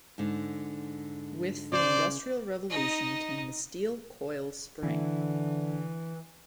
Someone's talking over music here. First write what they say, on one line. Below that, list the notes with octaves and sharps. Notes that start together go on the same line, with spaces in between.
With the industrial revolution came the steel coil spring.
G#2 D3
C#3 C5 D5
D#4 D#5
D3 E3